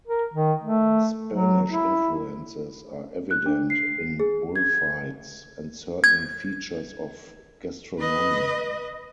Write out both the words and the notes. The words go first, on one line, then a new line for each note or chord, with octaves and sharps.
Spanish influences are evident in bullfights and certain features of gastronomy.
A#4
D#3
A3
F#3
E4
F#6
D4
C7
G#4
G#6
G#6
B4 D#5